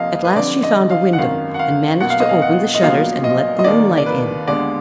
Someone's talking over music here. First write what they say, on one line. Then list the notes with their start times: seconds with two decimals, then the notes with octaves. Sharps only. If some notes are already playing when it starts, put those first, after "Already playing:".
At last she found a window and managed to open the shutters and let the moonlight in.
Already playing: F1 F2 F3 A#3 D#5 F5
0.25 B4
0.35 F1 F2 D3 D5
0.63 D#5
0.90 F5
1.13 F#5
1.18 G#1 F#2 D#3 F5
1.54 F#5
1.59 F5
2.00 B1 B2 A#3 F#5
2.10 F5
2.20 D#5
2.29 F5
2.42 F#5
2.75 D#5
2.82 A#1 A#2 F#3 B3 F5
3.24 D#5
3.59 D#5
3.64 D#2 D#3 A#3 D5
3.97 D5
4.06 B4
4.47 D#2 D3 G#3 B3 D5